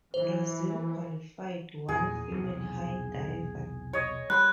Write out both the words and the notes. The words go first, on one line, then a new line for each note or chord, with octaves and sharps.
Brazil qualified one female high diver.
E3 C5
E2 A#2 G#4
B1 E2 C3
C#5 D#5
G3 B5 C6 F#6